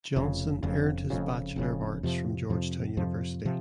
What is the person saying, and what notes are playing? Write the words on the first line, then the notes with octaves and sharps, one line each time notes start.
Johnson earned his Bachelor of Arts from Georgetown University.
F1 F2 C#3
F1 F2 C#3
F1 F2 C#3
F1 F2 C#3
F2 C3 F3
F2 C3 F3
F2 C3 F3
C3 F3